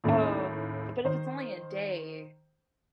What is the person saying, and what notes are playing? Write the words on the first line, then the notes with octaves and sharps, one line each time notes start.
oh, but if it's only a day.
D#2 A2 C#3 A#3
D#3 C5